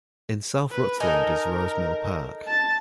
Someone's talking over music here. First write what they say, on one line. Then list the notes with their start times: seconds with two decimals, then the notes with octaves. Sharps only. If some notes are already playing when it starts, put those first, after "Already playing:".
In south Rutland is Rose Mill Park.
0.71 B4
1.00 D#4 A4 A#4 G#5
2.47 A5 A6